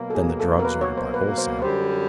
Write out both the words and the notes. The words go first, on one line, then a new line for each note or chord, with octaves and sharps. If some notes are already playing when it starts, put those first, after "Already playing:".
Then the drugs ordered by wholesale.
Already playing: B2 F#3 A#3
A4
G#4
A4
A#4
B4
C#5
C5
B4
C5
F#2 D3 G3 C5